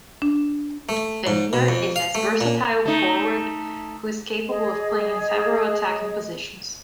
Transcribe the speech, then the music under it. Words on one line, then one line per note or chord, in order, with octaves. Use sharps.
Bendtner is as versatile forward who is capable of playing in several attacking positions.
D4
A3
G#2
B2
F2
F5
A3
A#2
A3 D#4
G#4 D#5